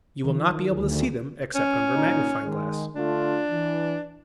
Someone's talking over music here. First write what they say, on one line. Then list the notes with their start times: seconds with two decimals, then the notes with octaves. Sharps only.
You will not be able to see them, except under a magnifying glass.
0.25 D#3 F3
0.71 D2 G#4
1.55 C#4
1.94 A#2 D#4
2.44 D#3 G#3
2.95 D3 A3 D4 F4
3.50 E3